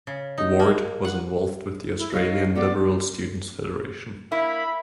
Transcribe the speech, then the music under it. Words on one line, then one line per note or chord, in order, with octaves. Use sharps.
Ward was involved with the Australian Liberal Students Federation.
C#3
D#4
A#3
F#5
E4
F#3 D#4 F4 D#5 F5
A3 B3 C4 D5 D6
A#3 E4 E5 B5